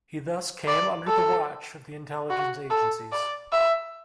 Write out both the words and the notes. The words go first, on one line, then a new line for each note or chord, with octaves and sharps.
He thus came under the watch of the intelligence agencies.
D5
A4
F#4
A4
D5
E5